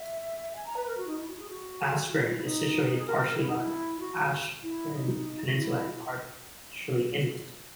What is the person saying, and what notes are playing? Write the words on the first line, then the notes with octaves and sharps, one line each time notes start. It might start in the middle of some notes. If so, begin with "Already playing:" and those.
Absheron is situated partially on Absheron Peninsula and partially inland.
Already playing: E5
G#5
A#5
B4
A#4
F#4
D#4
E4
F#4
G#4
F#4
E4
D#4
F#4
E4
D#4
G#4
A#4
E4
D#4
E4
F#4
E4
D#4
F#4
E4